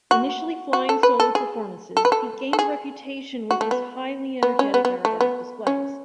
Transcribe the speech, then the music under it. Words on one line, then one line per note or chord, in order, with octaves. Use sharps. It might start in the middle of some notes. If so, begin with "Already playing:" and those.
Initially flying solo performances, he gained a reputation with his highly energetic aerobatic displays.
F#4
F#4
A4
B4
A4
G#4
A4
B4
A4
A4
G#4
F#4
A3
B3
B3
C#4
B3
B3
A3
B3
C#4